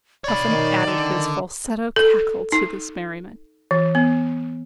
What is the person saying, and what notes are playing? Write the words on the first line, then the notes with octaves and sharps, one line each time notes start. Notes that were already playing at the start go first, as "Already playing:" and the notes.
Puffin added his falsetto cackle to this merriment.
C#5 D5 B5
D#3
D3
A4
D#4
E3
B3